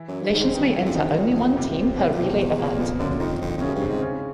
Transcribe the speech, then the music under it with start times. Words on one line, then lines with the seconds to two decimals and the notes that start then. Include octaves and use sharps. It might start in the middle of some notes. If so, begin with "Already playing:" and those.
Nations may enter only one team per relay event.
Already playing: E3 E4
0.08 F#2
0.21 G2
0.34 G#2 D#3 D#4
0.54 G2 D#3 D#4
0.75 F2 E3 E4
0.85 F2
0.95 F#2 D#3 D#4
1.06 G2
1.17 F2
1.36 F2
1.57 F2 C3 C4
1.98 E2 B2 B3
2.12 F2
2.18 C3 C4
2.25 E2
2.59 A#2 A#3
2.79 F2 B2 B3
3.00 F#2 D3 D4
3.10 F#2
3.20 F2 D#3 D#4
3.41 F2
3.57 F2
3.61 F#2 C#3 C#4
3.75 G2
3.81 C3 C4
3.88 G#2
4.02 C#3 C#4